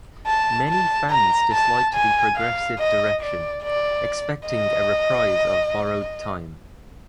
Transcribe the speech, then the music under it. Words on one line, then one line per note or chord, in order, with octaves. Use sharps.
Many fans disliked the progressive direction, expecting a reprise of "Borrowed Time".
A5
A5
A#5
A5
G#5
F5
D#5
D5
D5
D#5